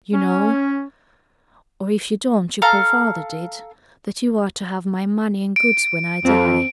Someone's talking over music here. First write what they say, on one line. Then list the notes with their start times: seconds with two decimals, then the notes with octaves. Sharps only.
You know, or if you don't, your poor father did, that you are to have my money and goods when I die.
0.13 C#4
2.62 A4 F5 A#5 F6
5.56 D7
6.25 F2 C4